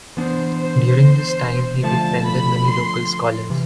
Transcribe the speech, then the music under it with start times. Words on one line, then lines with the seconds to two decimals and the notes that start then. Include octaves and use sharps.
During this time he befriended many local scholars.
0.17 E3 B3 D4 C5
0.59 C5
1.83 D3 F3 A3 A5
2.26 B5
2.68 C6
3.50 C3 E3